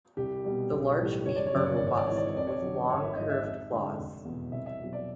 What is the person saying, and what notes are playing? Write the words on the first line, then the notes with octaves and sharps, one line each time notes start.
The large feet are robust, with long curved claws.
C2 G4
B2 G3
B1
A2 E3 G3
F#1 C#5
D5
C#5
F#2 C#3 F#3 D5
C#5
G#1 D5
C#5
D5
G#2 E3 C#5
D5
C#5
F2 D5
C#5
D3 F#3
G#1 C#5
E5
G#2 F3 G#3 D#5
E5
F2 E5
D3 F3 G#3
F1
E2 B2
C2 E5
E5
B2 F#3
D5